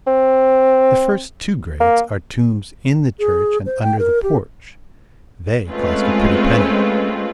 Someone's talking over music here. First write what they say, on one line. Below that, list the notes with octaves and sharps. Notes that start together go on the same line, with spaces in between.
The first two grades are tombs in the church and under the porch; they cost a pretty penny.
C4
A#3
G#4
C5
G5
A#4
G4
G#3 A3 C4 C#4 F4 B4